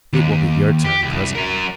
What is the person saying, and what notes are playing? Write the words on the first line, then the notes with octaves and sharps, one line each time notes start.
"It will be your turn presently!"
D#2
G4
C2
F#3 A#4